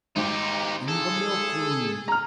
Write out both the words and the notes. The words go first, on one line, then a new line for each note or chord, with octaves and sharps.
"In the milk-room."
G#1 D#4 G4
G#4 A4
A#5 F6